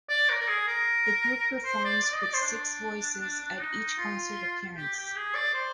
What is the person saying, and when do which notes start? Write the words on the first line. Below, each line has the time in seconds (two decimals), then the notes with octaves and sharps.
The group performs with six voices at each concert appearance.
0.09 D5
0.29 A#4
0.40 A#4
0.48 G#4
0.68 A#4
1.65 C5
1.85 D5
2.04 D5
2.14 D#5
2.23 D5
2.34 C5
2.43 D4
3.21 D4
3.41 D4
3.60 D#4
3.98 F4
4.77 G4
4.96 G4
5.16 G#4
5.35 D5
5.54 C5